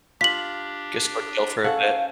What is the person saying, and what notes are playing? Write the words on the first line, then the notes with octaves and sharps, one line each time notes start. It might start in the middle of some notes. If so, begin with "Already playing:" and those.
Just go chill for a bit.
D4 F4 G4 B6 F#7
C#4 A4 F5 F#5